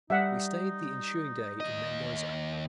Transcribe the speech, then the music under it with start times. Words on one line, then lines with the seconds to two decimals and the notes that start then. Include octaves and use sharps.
We stayed the ensuing day in Mendoza.
0.10 G3 D#4 E5 F#5
1.60 D#2 D#5